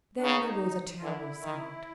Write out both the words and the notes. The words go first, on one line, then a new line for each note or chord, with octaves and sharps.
Then there rose a terrible sound.
D4
C#3 D#4
F4
D3 E4
D#3